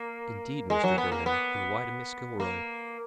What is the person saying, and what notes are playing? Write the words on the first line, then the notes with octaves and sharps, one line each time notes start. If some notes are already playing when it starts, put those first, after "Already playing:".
"Indeed, Mr. Durham; and why to Mrs. Gilroy?"
Already playing: A#3
G#3
F#3
B3
A#3
B3
A#3